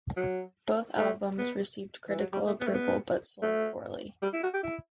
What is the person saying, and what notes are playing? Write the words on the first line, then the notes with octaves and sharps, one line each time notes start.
Both albums received critical approval but sold poorly.
F#3
A3
B3
E3
F#3
G3
A3
B3
A3
B3
A3
G3
E4
F#4
G4
E4